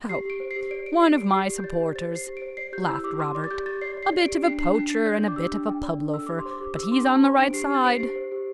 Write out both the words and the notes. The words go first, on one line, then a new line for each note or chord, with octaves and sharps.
"Oh, one of my supporters," laughed Robert; "a bit of a poacher and a bit of a pub-loafer, but he's on the right side."
G4 C7
G4 D7
C5
C7
G4
D5 D7
D5 D7
D5 C7
D5 D7
G4 C7
G4
G6
D5 A6
G4
C5 A6
C5 C7
G4
D7
C5
D5 C7
G4 G6
E4 E6
G4 D6
G4 C6
D5 D6
A6
G4 G6
G4 A6
D5 C7
D5
C7
D5
D7
G4
D4 C7
D4 C7
D4 C7
D4 A6
D5 G6
D4
D6
G4 E6
D4
D4 G5
D5
D4
A4 E6
G4 D6
C6
C5
D6
G4
G4 E6
D6
D4 C6
C5 A5
C5 C6
D4 D7
G4 C7
G4 A6
C5 D7
G4 C7
C5
G4